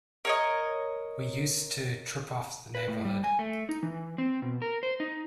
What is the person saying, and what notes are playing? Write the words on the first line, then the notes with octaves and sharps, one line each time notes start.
We used to trip off the neighborhood.
A#4 C#5 D#5
B4
A2
G3
G#5
A3
D#4
E3
C4
B2
A#4
C5
D#4